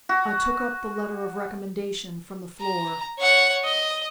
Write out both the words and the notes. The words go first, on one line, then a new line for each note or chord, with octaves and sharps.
I took up the letter of recommendation from the floor.
F#4
A#5
C#5 F#5
D#5